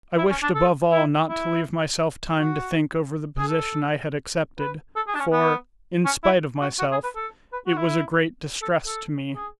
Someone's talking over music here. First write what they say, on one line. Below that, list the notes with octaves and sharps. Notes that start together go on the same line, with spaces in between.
I wished above all not to leave myself time to think over the position I had accepted, for, in spite of myself, it was a great distress to me.
E4
C#4
D4
A4
E4
E4
F#4
G#4
A4
B4
A4
G#4
D4
C#4
B3
C#4
E4
F#4
F#4
G#4
B4
A4
B4
F#4
E4
A4
A4
G#4